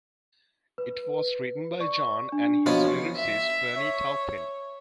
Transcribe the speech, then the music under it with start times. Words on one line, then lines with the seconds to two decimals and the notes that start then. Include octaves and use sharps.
It was written by John and his lyricist Bernie Taupin.
0.78 B4
1.79 D5 C#6
2.32 D4
2.66 B2 F3 C#4
3.16 E5
3.78 C#5